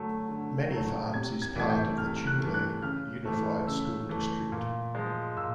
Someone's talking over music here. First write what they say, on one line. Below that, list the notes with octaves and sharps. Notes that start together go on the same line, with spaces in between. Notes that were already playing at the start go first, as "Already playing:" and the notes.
Many Farms is a part of the Chinle Unified School District.
Already playing: D3 F#3 A3
D3
F#3 A3
C3 G#6
G#6
E3 A3 G#6
G6
C3 F6
F6
F#6
E3 A3
F#6
C#3 F6
E3 A3
C#3 E6
E3 A3
A#2
F3 G#3
A#2 E6